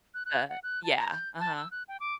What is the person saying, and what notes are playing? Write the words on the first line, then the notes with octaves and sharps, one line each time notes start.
Uh, yeah, uh-huh.
F#6
F#6
F#5
F#6
A5
A#5
G6
A5
E6
F#6
G5
D6